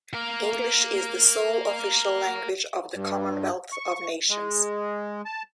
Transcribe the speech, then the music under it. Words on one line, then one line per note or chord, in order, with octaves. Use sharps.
English is the sole official language of the Commonwealth of Nations.
A#4 F5
G2
C#6
G#3
A5